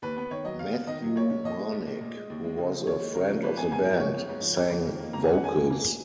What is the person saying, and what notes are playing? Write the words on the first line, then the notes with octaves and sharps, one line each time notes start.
Matthew Marnik, who was a friend of the band, sang vocals.
D#2 B4
B3 B4
D#3 C#5
F#3 D#5
D#2 F5
B3
D#3 D#5
F#3
A#1 C#5
A#1
A#2 D#5
G#3
A#1
A#1
A#2
G#3
D#2
G#3
C#3
F3
D#2 C#5
G#3
C#3 A#4
F3
G#1 B4
B3 G#5
G#2 G#5
F3 A#4
G#1 C#5
B3
G#2
F3
F2
F2
D#3
A#3
F2 A#5
F2 G#5
F#5
D#3 G#5
A#3
F2